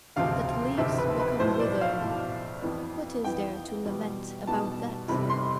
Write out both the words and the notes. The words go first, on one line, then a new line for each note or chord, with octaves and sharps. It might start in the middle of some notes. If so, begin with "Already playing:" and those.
That leaves become withered,--what is there to lament about that!
E1 D2 C3 F3 C4 F5
E1 D2 C3 F3 C4 E5
B4
B4
B1 A2 F3 C5
D5
F5
B1 A2 F3
F2 E3 B3
F2 E3 B3 G5
E2 B2 G3 B3
E2 B2 G3 B3 A5
F1 E2 C3 G3 C4 B5
C6